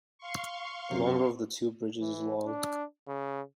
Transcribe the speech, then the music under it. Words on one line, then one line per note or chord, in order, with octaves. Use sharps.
The longer of the two bridges is long.
F5 C6 C#6
F#2 C3
E3
D4
C#3